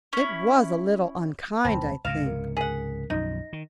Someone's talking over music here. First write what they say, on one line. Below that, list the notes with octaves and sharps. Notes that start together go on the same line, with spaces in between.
It was a little unkind, I think.
C#4 E4
E1 D2 C4 A5 B5
C#2 G#2 C3 F5 A#6 E7
A#4
G#4 A#4 F#5 B6
B1 F#2 F3 D#4 A#6
D#3